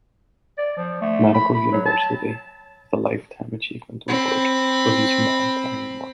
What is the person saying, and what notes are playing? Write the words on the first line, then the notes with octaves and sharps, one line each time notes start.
Medical University with a "Lifetime Achievement Award" for his humanitarian work.
D5
F3
A3
B5
B5
F#3
A5
C4 B5